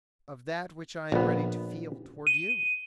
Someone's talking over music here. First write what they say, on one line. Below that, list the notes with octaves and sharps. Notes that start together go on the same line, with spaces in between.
"Of that which I am ready to feel toward you."
A#1 B3
D#7